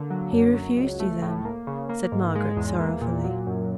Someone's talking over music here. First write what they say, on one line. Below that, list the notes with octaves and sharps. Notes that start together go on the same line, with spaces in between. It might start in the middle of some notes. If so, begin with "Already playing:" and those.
'He refused you, then?' said Margaret, sorrowfully.
Already playing: D3 A#3
F#3
F#2
F#3
C#2
A3
A2
A#3
C#3
A#3
G#2
G#3
E2
A#3
A#2
F#3
F#2